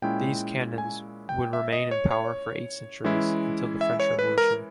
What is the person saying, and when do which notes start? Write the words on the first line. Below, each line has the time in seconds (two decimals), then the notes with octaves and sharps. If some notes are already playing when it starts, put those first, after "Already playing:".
These canons would remain in power for eight centuries, until the French Revolution.
0.02 A#2 G#3 C#4 E4 G5
0.78 G#5
1.29 G5
1.53 E5
1.72 D#5
1.91 C#5
2.11 C#5
3.04 E3 G#3 C#4 E4
3.81 E5
4.00 C#5
4.19 B4
4.38 A#4